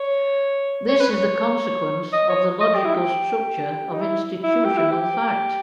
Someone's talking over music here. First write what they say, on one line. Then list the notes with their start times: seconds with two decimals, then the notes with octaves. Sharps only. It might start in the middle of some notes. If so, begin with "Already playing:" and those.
This is the consequence of the logical structure of institutional fact.
Already playing: C#5
0.88 C#5
1.00 B4
1.11 C#5
2.13 D#5
2.29 C#5
2.60 D#5
2.75 G4
2.85 E4
2.95 G4
3.92 D#4
4.01 E4
4.43 E4
4.65 G4
4.77 E4
4.92 G4